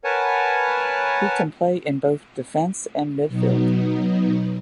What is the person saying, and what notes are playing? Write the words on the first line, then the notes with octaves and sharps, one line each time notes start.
He can play in both defence and midfield.
A#4 B4 C#5 F#5 G#5 A5
B2 F#3 B3 D#4